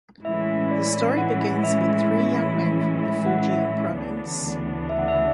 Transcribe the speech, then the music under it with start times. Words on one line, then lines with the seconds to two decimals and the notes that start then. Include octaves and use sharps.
The story begins with three young men from the Fujian province.
0.24 A2 E3 G#3 C#4 E4 E5
0.71 D5
1.18 F#5
1.64 E5
3.03 E5
3.26 F#5
3.50 E5
3.96 D2 C#3 E3 B3 D4
4.89 E5
4.99 F#5
5.08 E5